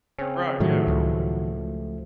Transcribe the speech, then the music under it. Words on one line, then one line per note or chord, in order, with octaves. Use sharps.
Right, yeah.
C#3 C4 C#4
A2 D#3 F3 F#3 A3
C#2